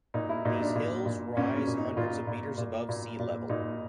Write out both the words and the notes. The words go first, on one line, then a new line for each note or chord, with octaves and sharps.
These hills rise hundreds of meters above sea level.
A#2 D#4
E4
A#2 D#4
D4
A#2
A#2
A#2 C#4
C#4
A#2
D#4
A#2 F4
A#2
A#2
A#2
A#2
A#2 D#4